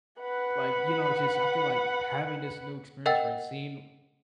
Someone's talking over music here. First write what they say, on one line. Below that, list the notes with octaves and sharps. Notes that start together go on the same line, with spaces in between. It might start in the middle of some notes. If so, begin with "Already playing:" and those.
like, you know, just I feel like having this new experience, right? Seeing
B4 F#5
A#4 D#5 F#5 G5 E6 A6